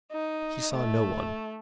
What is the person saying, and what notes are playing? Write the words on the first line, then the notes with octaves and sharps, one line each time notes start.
He saw no one.
D#4
A3